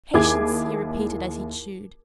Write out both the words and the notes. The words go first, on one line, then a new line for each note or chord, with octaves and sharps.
"Patience!" he repeated as he chewed.
D#2 E4 G#4 D6 G#6